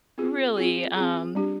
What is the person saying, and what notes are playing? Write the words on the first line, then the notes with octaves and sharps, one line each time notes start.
really, um,
C4 F4 G#4
C4 F4 G#4
C4 F4 G#4
G3 D4 G4